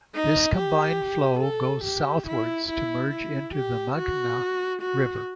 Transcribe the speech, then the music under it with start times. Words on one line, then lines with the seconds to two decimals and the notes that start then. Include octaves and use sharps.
This combined flow goes southwards to merge into the Meghna River.
0.14 D#4
0.57 G4
1.41 A4
1.84 G4
2.27 E4
2.69 E4
3.12 E4
3.54 G4
3.97 F#4
4.82 F#4